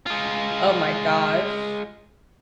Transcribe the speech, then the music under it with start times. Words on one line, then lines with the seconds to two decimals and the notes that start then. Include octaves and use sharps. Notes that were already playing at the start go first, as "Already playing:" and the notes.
oh my gosh.
0.06 G#3 F4